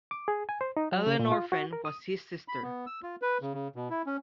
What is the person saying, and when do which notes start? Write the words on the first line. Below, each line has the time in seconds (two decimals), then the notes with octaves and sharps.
Ellenor Fenn was his sister.
0.11 D6
0.28 G#4
0.49 G#5
0.61 C5
0.77 D#4
0.92 F#3
1.07 C#3
1.19 A#2
1.32 F4
1.52 F#4
1.73 A#4
1.85 D#6
2.48 B5
2.63 B3
2.87 E6
3.03 F4
3.22 B4
3.42 C#3
3.54 C#3
3.76 B2
3.90 E4
4.06 C#4